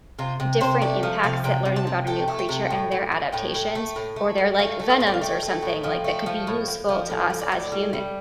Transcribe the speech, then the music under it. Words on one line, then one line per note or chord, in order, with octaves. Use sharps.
different impacts that learning about a new creature and their adaptations or their, like, venoms or something, like, that could be useful to us as human,
C3 F4
C3
C3 C5
A3 D5
F3
C3 F5
C3 G5
C3
A5
C3
A3 G5
A3
G5
C3
A2
A2
A2
A2 G5
A2
A3
A2
A3
A2
A3 F5
A3
F5
A2
D5
F5
A3 G5
A3
A2
F3 G5
A3
F3
A2
A2
F3
A2
A2
D5
A2
G3
G3